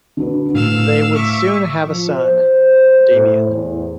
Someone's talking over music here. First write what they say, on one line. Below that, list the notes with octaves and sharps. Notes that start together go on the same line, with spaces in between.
They would soon have a son, Damian.
D3 F#4 B4
A2 F5 E6
E5 C#6 D6
F3
C5
A2
E2